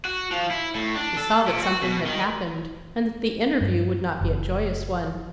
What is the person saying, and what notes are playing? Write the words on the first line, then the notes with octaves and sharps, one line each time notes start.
He saw that something had happened, and that the interview would not be a joyous one.
F#4
F3
E4
A2
D4
A4
A#2
F#4
B2
D#3
G2
F#1